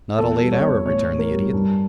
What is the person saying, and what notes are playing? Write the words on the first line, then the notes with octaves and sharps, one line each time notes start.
"Not a late hour," returned the Idiot.
E2 A4
G3
C#5
E2
A2 C#5
A2
A#4
G3
G2